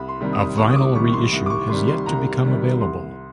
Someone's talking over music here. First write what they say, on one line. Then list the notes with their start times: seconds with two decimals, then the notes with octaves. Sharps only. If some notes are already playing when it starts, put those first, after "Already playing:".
A vinyl re-issue has yet to become available.
Already playing: C2 B5
0.08 C6
0.21 C3 D#3 G3
0.33 D#6
0.57 C2 C#6
0.70 D#6
0.76 D6
0.95 C3 D#3 G3 C#6
1.07 C#6
1.13 C6
1.33 C2
1.46 D6
1.50 C#6
1.69 C3 D#3 G3 C6
1.88 C6
2.06 C2 A#5
2.43 C3 D#3 G3
2.80 C2 C6